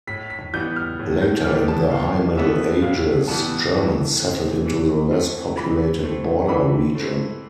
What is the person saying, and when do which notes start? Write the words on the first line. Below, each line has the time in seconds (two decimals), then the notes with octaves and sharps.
Later in the High Middle Ages Germans settled into the less populated border region.
0.07 A2 B6
0.30 B6
0.53 E3 G3 B3 G6
0.76 F6
0.99 A2
1.22 G6
1.44 E3 G3 B3 F6
1.68 A5
1.90 A2 F5
2.36 E3 G3 B3 E5
2.82 A2 F5
3.28 E3 G3 B3 A5
3.74 E3
4.20 A3 C4
4.66 E3
5.11 A3 C4
5.57 E3 B5
6.04 A3 C4
6.48 E3 B5
6.95 A3 C4